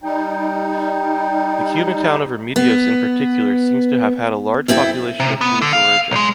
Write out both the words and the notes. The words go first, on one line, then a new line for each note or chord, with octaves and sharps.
The Cuban town of Remedios in particular seems to have had a large population of Jewish origin.
G3 D#4 G5
B3
F2 C4 E4 G4 A4
C3
B3
D3
F5
B1 G#3